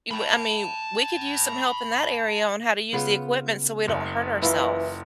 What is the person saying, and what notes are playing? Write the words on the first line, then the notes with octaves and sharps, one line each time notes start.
you I mean, we could use some help in that area, on how to use the equipment, so we don't hurt ourself.
A5 B5
C#3 B3 F4
F#1
E3 E4 F4 A#4